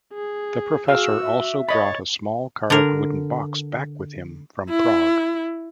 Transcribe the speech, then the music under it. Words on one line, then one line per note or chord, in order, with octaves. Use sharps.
The professor also brought a small carved wooden box back with him from Prague.
G#4
F#4 G#4 F5 E6
E5
C#5 D#5 B5 A6
D3 A#4
E4